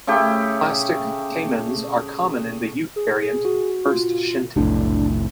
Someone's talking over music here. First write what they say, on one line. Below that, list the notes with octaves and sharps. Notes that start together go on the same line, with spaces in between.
Plastic camans are common in the youth variant "First Shinty".
C#3 A3 E4 G4
G#4
F#4
F4
F1 B1 A2 D4